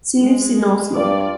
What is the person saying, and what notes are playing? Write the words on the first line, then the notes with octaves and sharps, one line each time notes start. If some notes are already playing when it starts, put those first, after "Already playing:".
She lives in Oslo.
G#3
G2 F4 D5